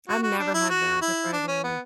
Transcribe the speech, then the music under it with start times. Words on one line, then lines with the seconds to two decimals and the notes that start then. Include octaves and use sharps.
I've never had that, surprisingly.
0.08 F#4
0.23 F#4
0.38 D4
0.54 E4
0.70 F#4
1.01 E4
1.33 D4
1.48 C#4
1.64 B3